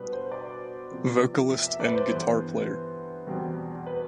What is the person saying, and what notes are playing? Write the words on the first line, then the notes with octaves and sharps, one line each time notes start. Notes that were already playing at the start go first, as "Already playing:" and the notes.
Vocalist and guitar player.
Already playing: B2 G3 D4 B4
C5
D5
C3 F3 B3
E5
E5
D5
B4
C5
G2 E3 B3 C5
E2 B2 G3 C4
B4